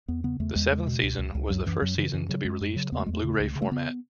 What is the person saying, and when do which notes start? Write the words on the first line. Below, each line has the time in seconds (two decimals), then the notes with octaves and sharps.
The seventh season was the first season to be released on Blu-ray format.
0.08 E2 B3
0.24 C#3 B3
0.40 E2 A3
0.56 E2 G#3
0.71 C#3 G#3
0.87 B2
1.03 C#2
1.19 C#2
1.35 C#2
1.50 F#2 F#3
1.66 F#2 E3
1.82 F#2 F#3
1.98 C#3 E3
2.13 F#2 E3
2.29 C#3 F#3
2.45 F#2 G#3
2.61 F#2
2.76 C#3 F#3
2.92 E2 B3
2.99 A3
3.06 E2 G#3
3.13 A3
3.24 C#3
3.40 C#2
3.55 C#3
3.62 A3
3.71 C#3 B3